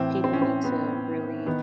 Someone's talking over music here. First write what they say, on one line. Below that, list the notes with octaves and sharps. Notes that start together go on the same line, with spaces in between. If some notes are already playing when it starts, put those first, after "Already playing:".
people need to really
Already playing: A2 E3 C4
C4
C#4
C4
B3
D#3 B3